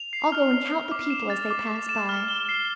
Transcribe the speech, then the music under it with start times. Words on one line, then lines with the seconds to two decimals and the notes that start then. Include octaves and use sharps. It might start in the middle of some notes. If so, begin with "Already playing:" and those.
I'll go and count the people as they pass by.
Already playing: F7
0.13 C7
0.32 F6
0.51 F6
0.71 F7
0.91 D6
1.10 E7
1.30 A6
1.50 D6
1.69 D6
1.89 E7
2.09 F6
2.28 G7
2.49 C7